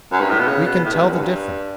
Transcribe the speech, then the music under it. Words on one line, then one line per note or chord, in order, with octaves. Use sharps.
We can tell the difference.
F#2
G2
A2
B2
C#3
B2
A2
G2
E2
F#2
G2